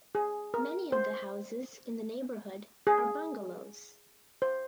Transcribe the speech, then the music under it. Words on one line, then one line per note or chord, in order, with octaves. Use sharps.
Many of the houses in the neighborhood are bungalows.
G#4
A#4
C5
G#4
C5